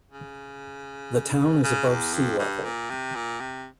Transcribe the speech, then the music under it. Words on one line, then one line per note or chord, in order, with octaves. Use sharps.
The town is above sea level.
C#3
C#3
E2
F2
G2
A#2
C3
A#2
C3